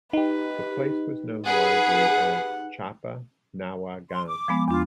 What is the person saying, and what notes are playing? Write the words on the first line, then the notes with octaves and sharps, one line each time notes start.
The place was known widely as Chapai Nawabganj.
D#4 G4 B4
G#4 B4 F#5
C6
D6
F3 G#3 B3
E2 D4 F4 D6